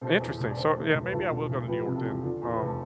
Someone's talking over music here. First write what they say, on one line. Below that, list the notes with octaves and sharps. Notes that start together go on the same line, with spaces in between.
Interesting. So, yeah, maybe I will go to New York then. Um,
B2 A4 C5
E2
E1
D5
D3 A4 C5
D2
E1
B4
B1 F4 A4
B2
B1
F3 G4 B4
C3
F4 A4
E2
D3 F4
E2
B4
F1
A4